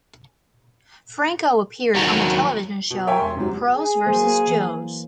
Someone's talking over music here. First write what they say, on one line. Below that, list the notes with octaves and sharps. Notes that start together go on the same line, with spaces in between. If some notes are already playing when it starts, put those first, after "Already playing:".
Franco appeared on the television show "Pros versus Joes".
D#2 F#3
B2
A#4 C#5 E5 G5 G#5
E1 C6
G#2 C3 F#3
G#4
F#3 A#3 C5
E3